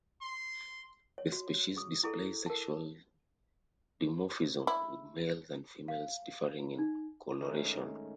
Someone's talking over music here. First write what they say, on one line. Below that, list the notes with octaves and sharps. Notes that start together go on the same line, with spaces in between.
The species displays sexual dimorphism with males and females differing in coloration.
C6
C#5
F#4
G#4 D#6
E4 G#4 A4
A#4 A5
E4
F5
D#4
D#3 G#3 A3 C#4 D#4